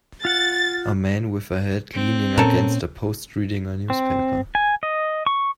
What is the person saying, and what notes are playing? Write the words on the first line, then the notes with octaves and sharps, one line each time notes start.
A man with a hat leaning against a post reading a newspaper.
F4 F#5 A6
C4
A#2 C#4 A4 A#4
C4
G#5
D#5
C#6